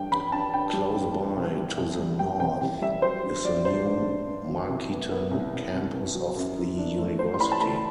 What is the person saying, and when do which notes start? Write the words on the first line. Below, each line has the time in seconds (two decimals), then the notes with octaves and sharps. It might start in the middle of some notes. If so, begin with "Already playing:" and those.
Close by to the north is the new Markeaton campus of the university.
Already playing: G2 G3 G5
0.11 G2 B5
0.32 G2 A5
0.53 G2 G5
0.73 G3
0.95 G2
1.15 G3
1.36 C2
1.58 G3
1.77 C2
1.99 G3
2.19 G3 G5
2.40 C2 G5
2.61 C2 G5
2.82 G3 E5
3.02 F#3 C5
3.24 G2
3.44 F#3 D5
3.65 G2 C5
3.85 G2
4.07 G2
4.27 G2
4.49 F#3
4.69 C2
4.90 B3
5.12 B3
5.31 C2
5.53 C2
5.73 C2
5.94 C2
6.15 F#3
6.36 F#2
6.56 E3
6.78 D4
6.98 A3
7.19 A3 C5
7.34 C6
7.40 E3 B5
7.52 A5
7.61 A3 B5